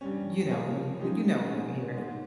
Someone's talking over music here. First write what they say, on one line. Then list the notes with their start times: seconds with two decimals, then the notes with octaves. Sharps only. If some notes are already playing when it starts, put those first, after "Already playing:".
You know, when you well, you know it when you hear it.
0.01 G2 G3 C#4
0.50 F3 A#3 F4 G#4 C#5
0.99 C#3 G#3 D#4 G4
1.48 G#2 D#3 G#3 C#4 G#4
1.97 G#2 D#3 G#3